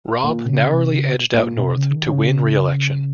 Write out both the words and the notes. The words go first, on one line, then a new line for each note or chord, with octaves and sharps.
Robb narrowly edged out North to win re-election.
A#2
C#3
C3
C#3
A#2
C3
C#3
D#3
C#3